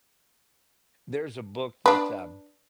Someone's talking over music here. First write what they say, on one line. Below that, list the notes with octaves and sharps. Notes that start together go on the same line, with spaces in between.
there's a book that, uh,
D4 B4